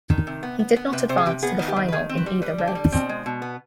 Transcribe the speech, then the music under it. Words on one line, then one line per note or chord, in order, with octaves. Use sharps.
He did not advance to the final in either race.
D#3
C3
B3
B3
B3
C3 B4
C3 C5
G#4
C3 G4
B3 G#4
D#3
G4
D#3
B4
D#3 G#4
C4
B4
G3
G3 B4
D3
G4
G3
B2 C4
G#3
B2
B3